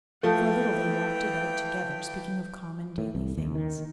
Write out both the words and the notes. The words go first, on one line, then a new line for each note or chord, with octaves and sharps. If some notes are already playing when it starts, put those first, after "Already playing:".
For a little they walked about together, speaking of common, daily things.
E3 F3 A3 G5
A2
C2
D#2
D#3